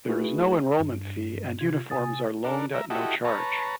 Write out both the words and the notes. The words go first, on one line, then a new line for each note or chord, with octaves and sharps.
There is no enrollment fee and uniforms are loaned at no charge.
A3 D#4 E4 F#4 G#4 B4
G2
C3 F4 G#6
C3 G#5 D#6 A6
D4 A4 A#4
E5 A#5
E4 F#4 G4 A4 D#5
B4 C#5 A5 A#5